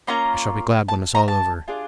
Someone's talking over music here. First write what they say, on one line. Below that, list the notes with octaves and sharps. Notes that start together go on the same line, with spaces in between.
I shall be glad when it's all over.
A#3 C#4 F4 A#5
A5
A#5
A5
D4 F4 G#4